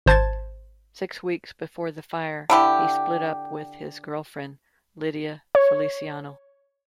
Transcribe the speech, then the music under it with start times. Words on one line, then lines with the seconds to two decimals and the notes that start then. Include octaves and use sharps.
Six weeks before the fire, he split up with his girlfriend, Lydia Feliciano.
0.06 G#1 C5 A5 G#6 A6
2.50 D3 E4 G4
5.55 C#5